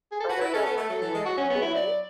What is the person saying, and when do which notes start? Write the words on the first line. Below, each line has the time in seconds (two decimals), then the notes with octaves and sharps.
Another one, Who me?
0.12 G#4
0.20 A4
0.29 F#4 B4
0.41 E4 B4
0.54 C#4 A4
0.65 B3 A4
0.78 A3
0.89 F#3
1.02 E3
1.14 G#3
1.25 F#3 F#4
1.38 C#4
1.50 B3
1.62 E4
1.74 D5